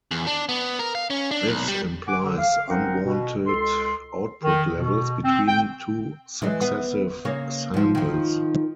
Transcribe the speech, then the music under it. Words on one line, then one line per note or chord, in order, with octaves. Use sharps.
This implies unwanted output levels between two successive samples.
E2
D4
B3
A#4
F5
C#4
D4
B1
G3
F#5 G#5 D6
D3
F5
C4 C#4 D#4 A#4 F#5
B2
C#2 A4 C6
D#3
B2
C4
G5
E3 G#3
B3
C#3 A#3 C#5
G#2 F3
D#3 F3